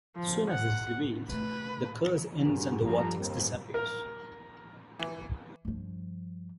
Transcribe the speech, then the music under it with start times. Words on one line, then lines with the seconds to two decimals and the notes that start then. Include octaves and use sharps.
As soon as this is revealed, the curse ends and the vortex disappears.
0.15 F3
0.50 F#5
1.29 C3 A3 B4
2.45 G2 F#4 G#4 A#4
2.85 F3 A4 A#5
3.20 D#2 A#3 C4 A#4
3.74 A#4
4.99 E3
5.65 G2 F3